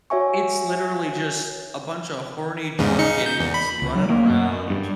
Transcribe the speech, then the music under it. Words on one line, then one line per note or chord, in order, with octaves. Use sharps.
It's literally just a bunch of horny, drunk idiots running around,
F#4 C#5 E5 G#5 C#6
E2 G#2 C#3
C#3 D#4 C#7
G6
E2
B5
C#2
F#3
A#3
F#2
G2